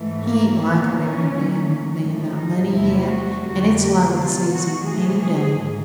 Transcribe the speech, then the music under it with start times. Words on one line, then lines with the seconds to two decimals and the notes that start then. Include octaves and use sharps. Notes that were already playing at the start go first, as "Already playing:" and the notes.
He ain't like a married man with me about money yet, an' it's liable to seize him any day.
Already playing: G#2 E3 A3
0.24 A#3
0.59 A#2 F3 A#3 B3
0.95 C#4
1.30 A#2 F#3 A3
2.01 A2 F3 G#3
2.36 D#4
2.71 E2 C3 F3 A3 E4
3.07 F#4
3.42 F2 D3 G3 A#3 F#4
3.78 G4
4.12 B2 G#3 F4
4.49 F#4
4.83 C3 E3 A3 G#4
5.19 G#4
5.54 G#2